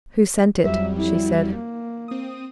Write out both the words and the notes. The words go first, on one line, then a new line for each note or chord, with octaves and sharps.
"Who sent it?" she said.
F2 F#3 G3 E5
E4
A#3
C4 D#6